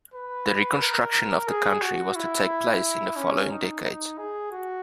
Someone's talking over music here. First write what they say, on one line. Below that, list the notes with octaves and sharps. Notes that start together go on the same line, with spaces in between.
The reconstruction of the country was to take place in the following decades.
B4
A#4
G#4
F#4
E4
C#4
D#4
D#4
G#4
F#4